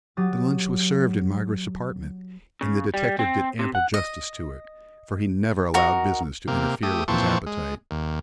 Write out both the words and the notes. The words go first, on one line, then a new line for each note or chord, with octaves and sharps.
The lunch was served in Margaret's apartment, and the detective did ample Justice to it, for he never allowed business to interfere with his appetite.
F#3 G4 D6 D#6 A6
C#3
G3
C4
C3
F#5
D#5
D#4 F#4 A#4 A#5
C3 A#3
A3 G4 D#6
A#2 E3 F3 C4 A5 C#6
G#3
D#2